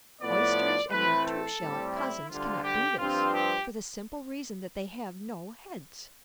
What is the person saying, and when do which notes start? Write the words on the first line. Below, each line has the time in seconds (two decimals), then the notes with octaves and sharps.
Oysters and their two-shelled cousins cannot do this, for the simple reason that they have no heads!
0.22 A2 F3 B3 D5
0.91 A2 E3 A3 C4 B4
1.26 A4
1.60 A2 G3 C4
1.95 E4
2.28 D2 D3 G3 F4
2.64 G4
2.98 G2 F3 C4 F4
3.33 G4